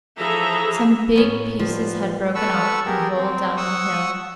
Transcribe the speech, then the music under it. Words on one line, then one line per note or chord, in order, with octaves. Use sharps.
Some big pieces had broken off and rolled down the hill.
E3 F3 G#4 A4 E5 A#5
A2 B3 C#4
G#1 F3 G3 B4
A4 B4 F#5 C#6 E6
G4 G#4 A#4
C4
F#5 C#6 D#6 E6